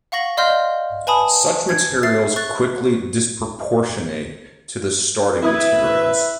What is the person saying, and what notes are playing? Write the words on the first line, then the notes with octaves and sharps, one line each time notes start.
Such materials quickly disproportionate to the starting materials.
F5 F#5 C#6 A#6 F#7
D5 D#5 F5 C6 F6 G6
B4 G#5 A5 B5 D#6
G#6
E5 A6 C7
C#6 F#6 A6
E4 B4 E5 D#6 G#6